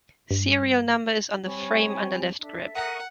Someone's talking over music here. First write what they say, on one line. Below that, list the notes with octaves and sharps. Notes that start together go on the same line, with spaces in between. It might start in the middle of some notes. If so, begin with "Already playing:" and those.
Serial number is on the frame under left grip.
G2
G3 C4 C#5 G5 G#5 B5
D4 A4 E5
A#4 F#5 A#5 C#6 D#6